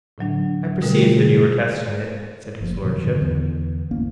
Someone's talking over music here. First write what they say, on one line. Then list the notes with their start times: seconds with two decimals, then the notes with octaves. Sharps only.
"I perceived that you were testing it," said his lordship.
0.18 A2 D3 F#3 D4
0.82 B2 D3 G3 A3 F4 A#4
1.14 D3 G#4
2.61 F#1 F3
2.84 F2 B2 D#3 F#3
3.03 G#2 D3
3.21 E2 D3 E3
3.91 G#1 E2 A#3 C#4